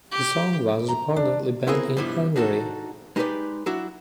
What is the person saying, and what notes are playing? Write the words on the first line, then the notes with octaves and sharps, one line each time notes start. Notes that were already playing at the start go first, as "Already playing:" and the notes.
The song was reportedly banned in Hungary.
G4
A#5
D4
B3 C4 E4 G#4 A#4
G2 B2 F3 G3 E4
D4 D#4 F#4 G#4 A4
G#3 D#4 G4 A#4 B4 D5
F#3 D4 E4 F#4